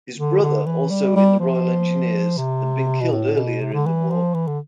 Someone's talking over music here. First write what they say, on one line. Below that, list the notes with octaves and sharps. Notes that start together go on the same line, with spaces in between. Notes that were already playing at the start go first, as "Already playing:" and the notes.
His brother-also in the Royal Engineers-had been killed earlier in the war.
D3
D3
E3
G3
G3
F3
C3
B2
A2
B2
C3
D3
E3
F3
E3
D3